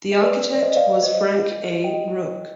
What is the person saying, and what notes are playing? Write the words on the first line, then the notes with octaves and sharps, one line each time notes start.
The architect was Frank A. Rooke.
D#5
B4 D5
D5
C5 D#5
D5 F5
D5 F5
C5 D#5
D#5 G5